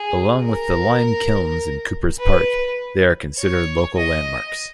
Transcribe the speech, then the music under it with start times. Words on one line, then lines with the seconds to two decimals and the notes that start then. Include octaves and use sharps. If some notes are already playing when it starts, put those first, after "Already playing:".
Along with the lime kilns in Coopers Park, they are considered local landmarks.
Already playing: G#4
0.43 A#4
2.20 B4
3.39 C#5
3.97 D#5